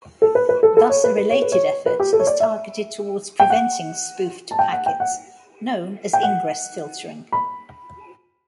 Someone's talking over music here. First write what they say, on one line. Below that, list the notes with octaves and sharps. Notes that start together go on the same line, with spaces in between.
Thus, a related effort is targeted towards preventing spoofed packets; known as ingress filtering.
A4
B4
B4
A4
A4
C#5
B4
B4
C#5
B4
C#5
B4
G4
A4
C#5
D5
E5
G5
F#5
A5
G5
F#5
G5
F#5
G5
F#5
B5